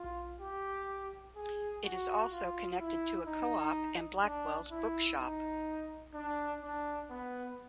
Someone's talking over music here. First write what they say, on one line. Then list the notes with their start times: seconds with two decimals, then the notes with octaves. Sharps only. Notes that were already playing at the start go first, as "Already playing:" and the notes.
It is also connected to a Co-Op and Blackwells bookshop.
Already playing: F4
0.40 G4
1.36 G#4
1.84 F#4
2.32 F4
2.79 E4
3.27 D#4
4.23 D4
4.71 E4
5.19 D#4
6.14 D4
6.62 D4
7.10 B3